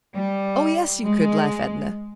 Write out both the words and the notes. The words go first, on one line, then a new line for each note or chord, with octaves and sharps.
"Oh, yes you could!" laughed Edna.
G3
G#3